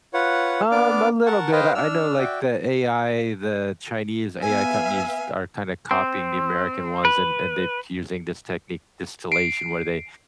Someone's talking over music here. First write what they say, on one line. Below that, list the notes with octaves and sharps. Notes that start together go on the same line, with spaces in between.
Um, a little bit. I I know like the AI the Chinese AI companies are kinda copying the American ones and and they're using this technique distillation where they
F4 B4 C#5 F#5
B3 D4 D5 D6 F6
A#4 F#5 A5 C#6
B4 C5 D#5 F5 G5
D4 E6 F6
F#4 D5 E5 G5
B3 E5 F5 G#5
C4
B4
C7 D7